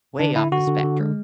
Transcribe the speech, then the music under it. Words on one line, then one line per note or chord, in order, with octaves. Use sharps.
way off the spectrum.
D3 D4
D3 E4
D3 F#4
D3
D3
G#3